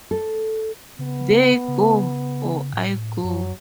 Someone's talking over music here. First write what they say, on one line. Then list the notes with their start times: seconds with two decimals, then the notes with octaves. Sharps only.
"They" go or "I" go!
0.11 A4
0.99 C#3 B3
1.68 C#3
2.74 A2
3.24 F#2 F#3